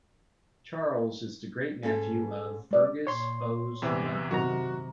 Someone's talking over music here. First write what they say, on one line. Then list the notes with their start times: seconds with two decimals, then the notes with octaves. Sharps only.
Charles is the great-nephew of Fergus Bowes-Lyon.
1.83 G#2 C#4 A4
2.71 G#3 D5
3.07 A#2 C#5 C6
3.82 E2 C3 E3
4.31 F#2 C3 D#3 F#4 A#5